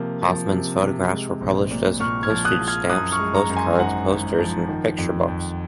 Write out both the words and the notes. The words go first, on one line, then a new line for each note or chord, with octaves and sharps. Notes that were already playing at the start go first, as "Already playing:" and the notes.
Hoffmann's photographs were published as postage stamps, postcards, posters and picture books.
Already playing: C3 F3 A#3
F3
C3
C3
G#3
A#1
A#2
A#2 C#6 F6
F6 G#6
F3
D#6 F#6
F3
F6 G#6
F#2 D#6 F#6
C#6 F6
G#3
A#5 C#6
F#2
G#5 C6
G#1 F#5 A#5
G#1
F3
D#3
F2
F2